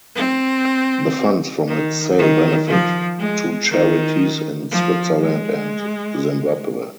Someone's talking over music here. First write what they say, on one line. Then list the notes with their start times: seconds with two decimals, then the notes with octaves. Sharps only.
The funds from its sale benefited two charities in Switzerland and Zimbabwe.
0.16 C4
1.67 D#3
2.18 D#3
2.68 F3
3.18 G#3
3.69 D#3
4.70 F3
5.20 G#3